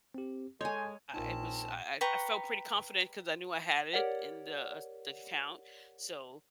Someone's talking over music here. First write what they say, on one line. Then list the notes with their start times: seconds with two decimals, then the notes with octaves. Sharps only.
uh, it was, I I I felt pretty confident ‘cause I knew I had it in the, uh, the account, so
0.14 C4 G4
0.61 G#3 A4 C#5 D#5 G#5 C6 G6
1.14 A#1 C4 C#4 D#4 F4 A#4 A5
2.01 B4 G5 A#5 C#6
3.93 G4 A#4 C#5 D5 F#5